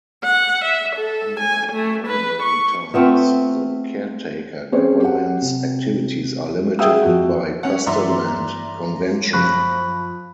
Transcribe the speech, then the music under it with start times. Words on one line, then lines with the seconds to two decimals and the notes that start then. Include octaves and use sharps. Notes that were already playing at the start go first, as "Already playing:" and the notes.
Unlike in ordinary times, the caretaker government's activities are limited by custom and convention.
0.24 F#5
0.65 E5
0.96 A4
1.40 G#5
1.73 A3
2.07 B4
2.43 C#6
2.94 A3 B3 C4 F4
4.72 C4 C#4 G#4 C5 C#5
5.01 G4 F#5
5.42 C3
6.79 G#4 E5 F#5 G5 D#6 E6
7.02 F2 F#4
7.63 C#4 C#5 F#5
7.86 G2 E3 D5 E5 A#5 C6
9.33 F#2 F3 B5 C#6 F#6